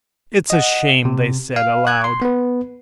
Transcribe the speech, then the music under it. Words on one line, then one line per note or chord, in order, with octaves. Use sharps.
"It's a shame!" they said, aloud.
D#5 F#5
C3
F5
F#6 G#6
C6
B3 B4